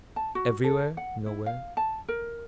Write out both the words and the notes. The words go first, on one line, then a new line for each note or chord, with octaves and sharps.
"Everywhere; nowhere."
A5
F#4
A4
F#5
E4
F5
A5
A#4